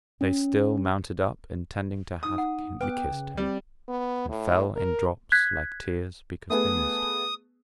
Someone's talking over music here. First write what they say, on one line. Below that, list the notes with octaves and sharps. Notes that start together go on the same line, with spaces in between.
"They still mounted up intending to have kiss'd him. And fell in drops like tears because they missed him."
C#4
D#4 D#6
F#5
B3 B4 G5 D6 F#6
C#3
G3 C4 D5
B3
A2
A#4
F#6 G#6 B6
A3 B3 G#4 D#6